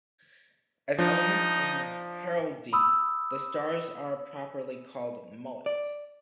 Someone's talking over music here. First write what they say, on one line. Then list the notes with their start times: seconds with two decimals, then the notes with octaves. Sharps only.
As elements in heraldry, the stars are properly called mullets.
0.98 F3 D4 D#4
2.73 B5 D#6 E6
5.66 D5